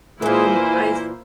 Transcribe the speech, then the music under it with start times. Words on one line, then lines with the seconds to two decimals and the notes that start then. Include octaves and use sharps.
Um, I
0.22 A#2 E3 A#3 E4 C5 G#5